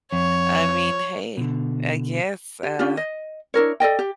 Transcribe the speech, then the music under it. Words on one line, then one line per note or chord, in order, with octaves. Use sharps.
I mean hey. I guess, uh,
F2 C#5
B2 D3
G4
C#4 D4 F4 G4
D#5
D4 E4 A#4 C#5
A4 D5 D#5 G5
G4